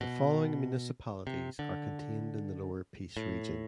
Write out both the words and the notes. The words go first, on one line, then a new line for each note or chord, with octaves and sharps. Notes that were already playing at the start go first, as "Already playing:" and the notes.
The following municipalities are contained in the Lower Peace Region.
B2
C3
D3
A2